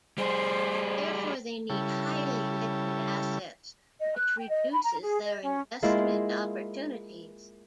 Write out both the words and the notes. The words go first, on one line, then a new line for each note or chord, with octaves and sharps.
Therefore they need highly liquid assets which reduces their investment opportunities.
G3 G#4 C5
C#3 G3 E4 A4
D#5
F#6
G5
D#5
B5
A#5
G#4
D#5
C#4
G#3 A#3 E4 F4